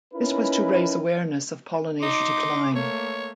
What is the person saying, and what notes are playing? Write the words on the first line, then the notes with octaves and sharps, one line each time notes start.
This was to raise awareness of pollinator decline.
C#4 D#4 E4 A#4 B4
D#4 C6 D6
A3 A#3 C#5